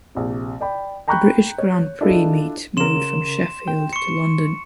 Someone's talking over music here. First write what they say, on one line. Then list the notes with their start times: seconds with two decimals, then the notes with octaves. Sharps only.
The British Grand Prix meet moved from Sheffield to London.
0.15 A#1 C3
0.61 D5 G5 B5
1.08 G5 A#5 B5 C#6 F#6 G6
1.58 C#5
2.01 D4 E4 F4 G#4 A4 D#5
2.77 C#3 A#4 C6 E7
3.68 G5
3.93 C6 C#6 C#7